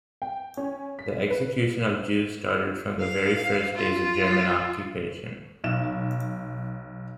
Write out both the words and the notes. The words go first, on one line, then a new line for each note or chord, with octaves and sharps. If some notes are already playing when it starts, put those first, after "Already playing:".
The execution of Jews started from the very first days of German occupation.
G5
C#4
B6
B4
F5
F4
B1 E7